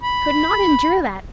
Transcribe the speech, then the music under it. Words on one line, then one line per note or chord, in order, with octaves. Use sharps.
I could not endure that.
B5